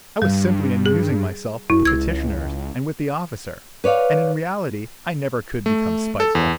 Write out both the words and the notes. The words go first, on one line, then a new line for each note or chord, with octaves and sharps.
I was simply amusing myself with the petitioners and with the officer, and in reality I never could become spiteful.
G2 G3
G#4
F#2 E4
C#2 E6 G#6
B4 C#5 D5 F5
A3
A4
E2